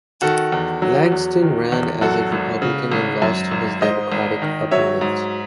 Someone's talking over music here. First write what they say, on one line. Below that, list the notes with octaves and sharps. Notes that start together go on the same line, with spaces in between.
Langston ran as a Republican and lost to his Democratic opponent.
D#3 F#4 A4
E2
F#3
E2
D#3
E2
F#2 F#4 A4
G#1
C#3
G#1
F#2
G#1
G#2 C5 D#5
G#1
D#3
F#3 C#5 E5
G#2